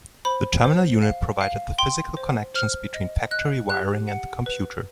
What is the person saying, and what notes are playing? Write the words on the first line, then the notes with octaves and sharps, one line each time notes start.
The Terminal Unit provided the physical connections between factory wiring and the computer.
C5 B5
C5
F5
F5
G5 C6
C5
C5 F6
D#5
D#5 F#6
G4 F#6
F#5
B4